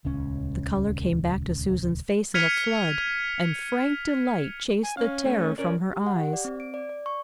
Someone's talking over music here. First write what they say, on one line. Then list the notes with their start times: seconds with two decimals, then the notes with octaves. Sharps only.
The color came back to Susan's face in a flood, and frank delight chased the terror from her eyes.
0.05 D#1 C#2 C#4
2.34 F6 G#6 B6 C#7 D#7 F7
4.83 G#5
4.97 C#4 F5
5.25 A3
5.58 C#4 A#4 D5
5.93 G4
6.07 F#5
6.20 G4
6.33 D5
6.45 C4
6.60 D7
6.74 D5
6.89 D5
7.06 C#6